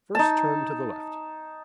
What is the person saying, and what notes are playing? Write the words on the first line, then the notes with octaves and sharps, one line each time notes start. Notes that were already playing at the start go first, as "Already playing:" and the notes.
First turn to the left.
D#4 A5